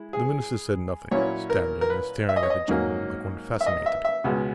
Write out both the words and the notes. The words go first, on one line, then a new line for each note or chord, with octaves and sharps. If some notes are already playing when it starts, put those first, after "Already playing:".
The minister said nothing, standing and staring at the general like one fascinated.
Already playing: G#3 E4
G#4
A#2 F#3 C#4 E4 C#5
A#4
A#4
B4
E5
D#5
C#5
D#5
G#2 F#3 A#3 C#4
E5
D#5
E5
E5
C#2 B2 G#3 B3